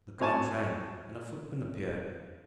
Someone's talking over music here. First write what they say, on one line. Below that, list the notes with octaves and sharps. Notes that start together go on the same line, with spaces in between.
The count rang, and a footman appeared.
C4 F#4 C#5 G#5 A5